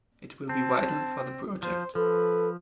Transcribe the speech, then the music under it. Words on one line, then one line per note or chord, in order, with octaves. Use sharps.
It will be vital for the project.
C4 A5
F3 C5
F3 A4 B4